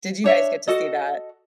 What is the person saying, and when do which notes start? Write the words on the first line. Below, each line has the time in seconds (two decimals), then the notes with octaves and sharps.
did you guys get to see that?
0.24 D4 C#5 E5
0.68 F#4 A4 D#5